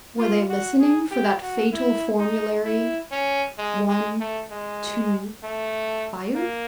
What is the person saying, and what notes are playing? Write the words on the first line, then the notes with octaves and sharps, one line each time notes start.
Were they listening for that fatal formulary:--One--two--fire?
F4
F#4
G#4
G4
F#4
E4
D#4
E4
C#4
G#3
G#3
A3
G#3
A3
A#3